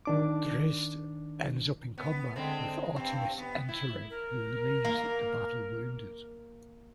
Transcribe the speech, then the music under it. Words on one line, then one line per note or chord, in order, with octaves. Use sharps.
Drizzt ends up in combat with Artemis Entreri, who leaves the battle wounded.
D#3 D4 D6
B3
D3 G#3 C4
G2 C4
B3
E4
A#4
A#3